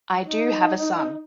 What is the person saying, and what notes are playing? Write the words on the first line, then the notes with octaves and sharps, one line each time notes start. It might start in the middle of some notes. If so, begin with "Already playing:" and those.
I do have a son.
D#4